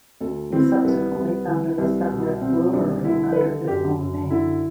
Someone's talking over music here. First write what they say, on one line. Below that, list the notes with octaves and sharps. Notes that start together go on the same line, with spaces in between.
He subsequently founded a separate brewery under his own name.
D2 A4
E3 C4
C2 B3
C2
E3
C2
B2
B2 C4
C2 D4
D3 E4
B4
D3 A4
F#2 G4
F#2
D3 E4